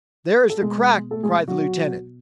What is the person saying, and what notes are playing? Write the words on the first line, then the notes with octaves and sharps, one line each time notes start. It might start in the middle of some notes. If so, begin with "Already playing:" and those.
"There is the crack!" cried the lieutenant.
A4
B2 G#3 G#4
A3 A4
G#3 G#4
F#3 F#4